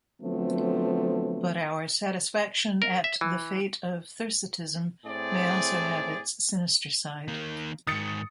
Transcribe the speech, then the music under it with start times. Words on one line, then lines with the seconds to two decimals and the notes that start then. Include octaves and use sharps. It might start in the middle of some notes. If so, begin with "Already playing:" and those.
But our satisfaction at the fate of Thersitism may also have its sinister side.
0.22 D3 F3 F#3 A3 B3 C4
2.82 A#4
3.04 E5
3.21 E3
5.05 A2 C4 G#4 D5
7.28 D#3 A#3
7.87 G#2 D#3 D#6 A6 C#7